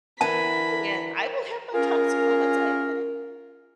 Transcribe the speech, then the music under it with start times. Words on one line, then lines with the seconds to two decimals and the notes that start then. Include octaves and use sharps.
And I will have my toxic moments, I admit it.
0.21 D3 E3 D4 A#4 A5 B5
1.74 C#4 F4 G#4 A#4